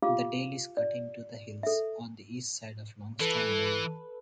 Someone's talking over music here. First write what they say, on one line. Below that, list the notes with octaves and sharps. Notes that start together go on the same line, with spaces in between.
The dale is cut into the hills on the east side of Longstone Moor.
F4 G4 F5 D6
D5
A4 E5
E3 A4 B4